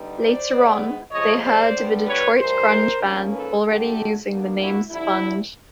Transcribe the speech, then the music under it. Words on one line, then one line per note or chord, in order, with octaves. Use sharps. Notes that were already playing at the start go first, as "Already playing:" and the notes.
Later on, they heard of a Detroit grunge band already using the name Sponge.
Already playing: D3 G3 B3 D#4
C5 D5
G#2 D#3 G#3 B3
F2 C3 F3 G#3 C#5 D#5
C5 D5
D3 G3 B3
B4 C#5
A2 E3 G3 A#4 C5
G#2 F3 A#3 C#4
A4 B4
D3 F#3 A3 G4 A4
B2 F#3 A#3 D4
E4 F#4
F2 D3 G3 E4